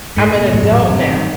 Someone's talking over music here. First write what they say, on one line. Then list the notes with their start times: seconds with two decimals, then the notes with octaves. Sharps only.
I'm an adult now
0.16 G#2 A3
0.35 B2
0.53 A2 F#3
0.62 G#2
0.71 E2 A2
0.89 G2 C3
1.08 D#3